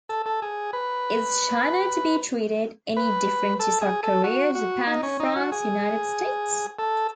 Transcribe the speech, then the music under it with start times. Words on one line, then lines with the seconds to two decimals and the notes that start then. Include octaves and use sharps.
Is China to be treated any different to South Korea, Japan, France, United States?
0.09 A4
0.26 A4
0.42 G#4
0.73 B4
2.97 B4
3.60 A4
3.81 G#4
4.03 A4
4.24 F#4
4.55 F#4
4.87 D#4
5.03 C#4
5.20 D#4
5.36 F#4
5.52 G#4
6.79 A4